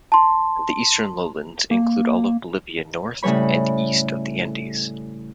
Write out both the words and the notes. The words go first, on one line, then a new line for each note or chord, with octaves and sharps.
The eastern lowlands include all of Bolivia north and east of the Andes.
A5 C6
A#3
A2 C#3 G3 C#5 B5